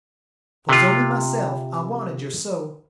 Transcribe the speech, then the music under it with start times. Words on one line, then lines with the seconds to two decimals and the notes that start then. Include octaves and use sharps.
'Twas only myself--I wanted yer so.
0.69 C3 F4